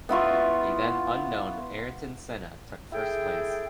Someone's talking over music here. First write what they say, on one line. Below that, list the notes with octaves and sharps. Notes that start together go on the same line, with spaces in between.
A then unknown Ayrton Senna took first place.
B3 E4 F4 C#6
E4 G#4 A4 G5